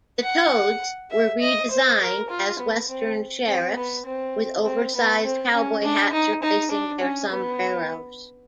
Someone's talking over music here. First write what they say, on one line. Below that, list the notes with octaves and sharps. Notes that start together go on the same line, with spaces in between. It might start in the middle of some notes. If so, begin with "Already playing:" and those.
The toads were redesigned as western sheriffs with oversized cowboy hats replacing their sombreros.
F#5
E5
D#5
C5
A#4
F4
B3
C4
C4
B3
C4
C4
B3
C4
C#4
D4
D#4
D#4
D4
C#4
B3